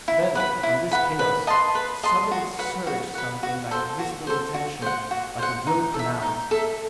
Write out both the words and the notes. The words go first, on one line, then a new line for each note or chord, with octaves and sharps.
Then, from this chaos, suddenly surged something like a visible intention, like a will pronounced.
E4
B4 F#5 B5
E4
B4 F#5 B5
B4
D#5 A5 C6
B4
D#5 A5 C6
F#4
B4 F#5
F#4
B4 F#5
F#4
A4 C5
F#4
A4 C5
F#4
C5 F#5
F#4
C5 F#5
D#4
A4
E5
D#4
A4 E5